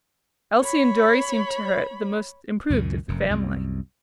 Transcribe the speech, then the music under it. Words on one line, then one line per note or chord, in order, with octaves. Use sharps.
Elsie and Dorry seemed to her the most improved of the family.
C#5 B5
C#2 F#2 A#2 D#3
F1 F#2
C2 F#2